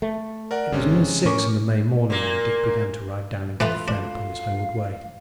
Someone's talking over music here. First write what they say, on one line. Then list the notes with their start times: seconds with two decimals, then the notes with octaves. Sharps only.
It was near six in the May morning when Dick began to ride down into the fen upon his homeward way.
0.02 A3
0.51 A#4 D5 F#5
0.72 G1 C3 G#3 C#4
1.25 A2 C#4 A#4 C#6 D6
2.10 A#2 A#3
3.60 E3 F4 A4 B4
3.88 D4 F5